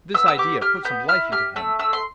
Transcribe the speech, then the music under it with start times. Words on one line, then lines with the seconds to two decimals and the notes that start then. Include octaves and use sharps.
This idea put some life into him.
0.14 B3 E6
0.28 E6
0.38 G4 D6
0.61 G4 F6
0.85 B3 G6
1.08 E4 F6
1.32 G4 F6
1.56 A3 E6
1.79 A3 E6
1.93 C6